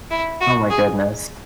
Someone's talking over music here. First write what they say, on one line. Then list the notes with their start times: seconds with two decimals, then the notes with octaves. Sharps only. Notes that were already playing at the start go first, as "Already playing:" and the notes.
Oh my goodness.
0.11 E4
0.41 F#4
0.70 G#4